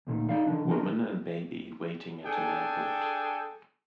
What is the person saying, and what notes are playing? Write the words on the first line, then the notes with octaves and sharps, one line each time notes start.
Woman and baby waiting at an airport.
D2 A#2 D3 D#3
D#4 D5 F5
D#3 D4
D#3 D4 A#4
D4 G#4 A4 G5 G#5